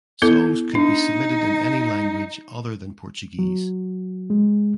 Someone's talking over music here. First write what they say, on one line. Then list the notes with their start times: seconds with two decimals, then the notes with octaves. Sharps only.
Songs could be submitted in any language other than Portuguese.
0.22 B3 E4 A4
0.75 D4 D#4
3.39 F#3
4.30 G#3